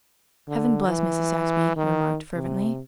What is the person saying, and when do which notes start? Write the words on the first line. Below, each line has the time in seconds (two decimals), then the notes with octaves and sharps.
"Heaven bless Mrs. Saxby," he remarked fervently.
0.48 D3
0.88 E3
1.76 D#3
2.35 C3